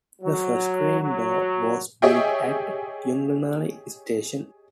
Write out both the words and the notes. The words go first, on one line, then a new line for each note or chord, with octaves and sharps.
The first screen door was built at Yong'anli Station.
F#3
F#3
G4 G#4 C#5 D#5 E5 G5